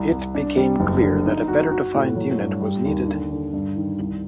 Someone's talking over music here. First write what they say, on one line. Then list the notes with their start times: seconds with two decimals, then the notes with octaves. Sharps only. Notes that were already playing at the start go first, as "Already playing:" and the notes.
It became clear that a better-defined unit was needed.
Already playing: C2
0.12 C2
0.35 D4
0.57 G3
0.80 F#1
1.02 D3
1.26 D#4
1.48 F#4
1.71 F#4
1.94 A2
2.16 F#3
2.39 G2
2.62 G3
2.85 D#2
3.08 D3
3.31 D3
3.53 G2
3.76 D#3
3.99 C2